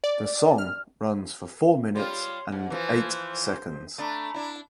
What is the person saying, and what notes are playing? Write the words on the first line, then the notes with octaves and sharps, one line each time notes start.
The song runs for four minutes and eight seconds.
D5
F6
G3 F4 C#5 C6
G#2
E3 F3 C5
A3 D4 A#5 B5
D4 E4